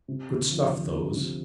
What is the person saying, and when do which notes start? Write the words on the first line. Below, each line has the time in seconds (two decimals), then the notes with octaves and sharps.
"Good stuff, those."
0.08 C3
0.30 D2
0.51 F3
0.73 D2
0.94 F3
1.15 C3